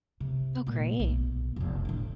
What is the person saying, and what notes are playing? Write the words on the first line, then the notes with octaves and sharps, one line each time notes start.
Oh, great.
C3
A#2 A3
B1
F1 F2
A2 D4